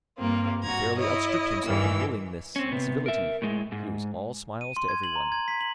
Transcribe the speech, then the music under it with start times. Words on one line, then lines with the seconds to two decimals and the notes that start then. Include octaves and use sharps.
He fairly outstripped himself in willingness and civility; he was all smiles to everyone.
0.18 G2 A#3 C4 F4
0.63 G2 F#4 A#5 G#6
0.98 E4 C#5 D#5
1.65 G2 D#3 E3 G4 E6
2.56 C4 C#4
2.72 C3 B3
3.06 A#4 E5
3.42 A2 G#3
3.72 G#2
4.61 D#7
4.76 C6
4.89 G#6
5.04 F#7
5.16 A#5
5.32 G#6
5.48 B6
5.61 F#7